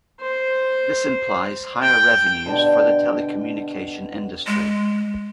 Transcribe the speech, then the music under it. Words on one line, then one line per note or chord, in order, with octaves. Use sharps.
This implies higher revenues for the telecommunication industry.
C5
G5
B2 D3 G4
G#3